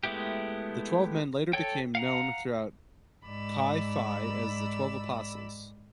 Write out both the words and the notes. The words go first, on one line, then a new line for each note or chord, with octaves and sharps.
The twelve men later became known throughout Chi Phi as the "Twelve Apostles".
G#3 A3 B3 E4 G4
A4 C#5 G5
F5 F#5 A#5
G#2 D5 B5 E6